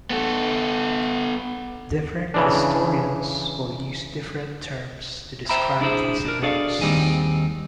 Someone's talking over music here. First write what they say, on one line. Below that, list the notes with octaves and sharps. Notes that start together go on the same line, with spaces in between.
Different historians will use different terms to describe these events.
B3 A4
C#3 E3 D4
C5 E5 G5 A#5 B5
D4 E4 G#4 C5
D4 A#4
D4 F#4 G#4 A4 D5 F5
D#2 D#3 G3 C4 D#4 G#4